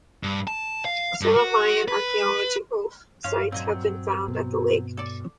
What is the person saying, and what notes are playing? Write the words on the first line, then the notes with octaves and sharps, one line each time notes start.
Several Mayan archaeological sites have been found at the lake.
G2
A5
F5
G2
F#4
B4
G2 F3 C#4 F5
A#2 F#3 C4 D#5 G#5
B2
A4 D5